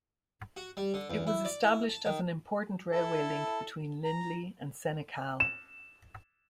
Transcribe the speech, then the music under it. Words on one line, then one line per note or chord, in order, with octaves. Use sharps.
It was established as an important railway link between Lindley and Senekal.
F#4
G3
D3
E2
E4
D5
E4
A5
D#3
E4 A4
A#5
E7